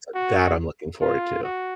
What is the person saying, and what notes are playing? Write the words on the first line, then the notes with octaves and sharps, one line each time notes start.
So, that I'm looking forward to.
F#4
F4
F#4